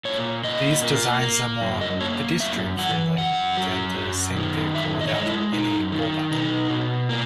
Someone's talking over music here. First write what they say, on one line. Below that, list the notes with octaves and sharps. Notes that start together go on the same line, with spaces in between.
These designs are more "pedestrian friendly" than the same vehicle without any bullbar.
A#2 C#5
A#2 D#5
A#3
A#3
F#2
D#5
A#3 C#5
F#2 E5
E3 F#5
F#2 F#5
F#3
F#2
D#3
F#2 E5
D#5
C#5
G#3 D#5
E4
F#2 D#4
D#3
B2 D#4
B2
A#3